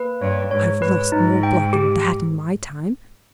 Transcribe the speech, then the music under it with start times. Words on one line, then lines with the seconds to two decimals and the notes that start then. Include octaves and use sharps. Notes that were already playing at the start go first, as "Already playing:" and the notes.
I've lost more blood than that in my time!
Already playing: A#3 B4
0.21 G2 C#5
0.51 G#2 C#5
0.82 G#2 B4
1.12 G#2 D#4
1.43 G5
1.73 G4